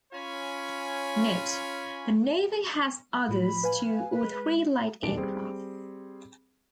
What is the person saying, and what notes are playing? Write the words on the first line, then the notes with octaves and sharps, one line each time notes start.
Note: The Navy has others two or three light aircraft.
C#4 F4 C#5 G#5 B5
A2 F3 B5
B4 F5 G#5
B4
G#3
D#1 B1 E2 D4 D7
G3 C4 G#4